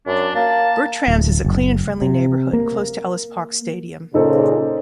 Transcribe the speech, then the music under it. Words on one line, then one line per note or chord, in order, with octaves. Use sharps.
Bertrams is a clean and friendly neighbourhood, close to Ellis Park Stadium.
F#2 D4
A#3 A5
D1
F#1
C3
A#3
A#2 C#3 D#4 A4 C5